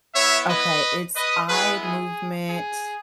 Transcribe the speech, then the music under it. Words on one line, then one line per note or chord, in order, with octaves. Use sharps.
Okay, it's eye movement
B3 E4 C#5 E5
B4 D#5
B4 D#5
G#3 B3 E4 G#4 B4
G#4
G#4